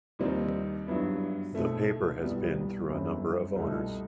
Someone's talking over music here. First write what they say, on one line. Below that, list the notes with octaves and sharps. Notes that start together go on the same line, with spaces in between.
The paper has been through a number of owners.
D#2 D#3 G3 C4 D#4
G2 F#3 B3 E4
B1 B2 A3 C4
C2 B2 G3 B3
G1 F#2 F#3 C4
C2 B2 A3 D#4